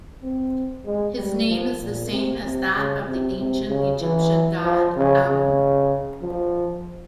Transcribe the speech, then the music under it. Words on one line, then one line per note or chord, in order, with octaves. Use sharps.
His name is the same as that of the ancient Egyptian god Amun.
C4
G#3
G3
F3
A#2
C3
C3
C#3
C3
C3
C#3
E3
F3
C#3
C#3
F3